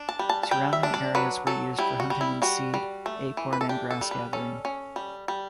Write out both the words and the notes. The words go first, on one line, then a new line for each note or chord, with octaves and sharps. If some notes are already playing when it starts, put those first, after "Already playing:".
Surrounding areas were used for hunting and seed, acorn, and grass gathering.
Already playing: D4
A5
G3
A5
A5
G3 G5
E5
D4
D5
F#3 B4
F#3 A4
G3 E4
F#4
G3
E4
G3 F#4
G3
A3
E3
B4
A4
D4 G4
A4
G3
B4
C#4 A4
C#4
G3
G3